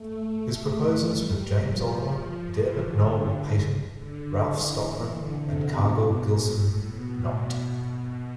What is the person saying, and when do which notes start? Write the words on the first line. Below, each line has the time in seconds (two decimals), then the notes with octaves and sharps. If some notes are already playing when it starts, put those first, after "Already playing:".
His proposers were James Oliver, Diarmid Noel Paton, Ralph Stockman and Cargill Gilston Knott.
Already playing: A3
1.08 G3
1.65 F3
2.52 E3
2.80 D3
3.95 D3
4.52 E3
5.10 D3
5.38 C3
5.67 B2
6.24 A2
6.82 B2
7.10 A2
7.39 B2
7.97 B2